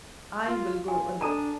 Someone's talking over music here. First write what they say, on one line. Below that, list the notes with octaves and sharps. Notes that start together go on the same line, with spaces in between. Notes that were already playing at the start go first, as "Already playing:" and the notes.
"I will go alone."
F4
F4 G#5
D4 A4 A5 A#5